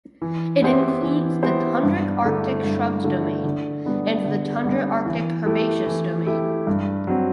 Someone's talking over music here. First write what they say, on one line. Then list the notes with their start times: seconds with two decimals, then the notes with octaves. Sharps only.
It includes the tundra arctic shrubs domain and the tundra arctic herbaceous domain.
0.22 E3
0.62 B3 E4 G4 C5
1.03 E3
1.43 B3 E4 G4 C5
1.83 G2
2.24 D3 A3 E4
2.64 G2
3.04 D3 A3 E4
3.44 D3
3.85 G3 B3 D4
4.25 D3
4.65 G3 B3 D4
5.06 E3
5.46 A3 E4 G4
5.87 E3
6.26 A3 E4 G4
6.67 G2
7.07 F#3 C4